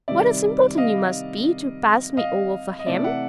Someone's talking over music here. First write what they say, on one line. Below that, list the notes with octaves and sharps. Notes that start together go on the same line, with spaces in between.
What a simpleton you must be, to pass me over for him!
C3 D#3 G3 D5 E5
D#5 F5
D#5 F5
D#5
C3 E3 A3 D5 E5
E5 F#5